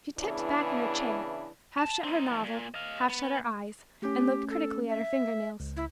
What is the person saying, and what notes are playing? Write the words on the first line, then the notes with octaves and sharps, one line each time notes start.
She tipped back in her chair, half shut her novel, half shut her eyes, and looked critically at her finger-nails.
C#3 E3 B3 D4 E4 G#4
A5
C4 D#4
D#3 F3
A#2
D#5 F5
B3
A3 C#4 G4
A4
E5
C#2
E4